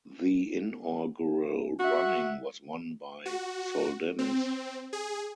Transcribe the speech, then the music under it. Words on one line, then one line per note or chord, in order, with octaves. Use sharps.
The inaugural running was won by Soldennis.
F#4 E5 F#5
F#4
C4
G#4